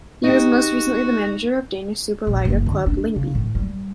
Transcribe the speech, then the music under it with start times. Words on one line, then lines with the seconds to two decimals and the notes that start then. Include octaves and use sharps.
He was most recently the manager of Danish Superliga club Lyngby.
0.24 D#4 F#4 G4
2.27 A#1
2.45 F#1
2.66 D3
2.86 D4
3.16 C#3
3.35 A2
3.55 G3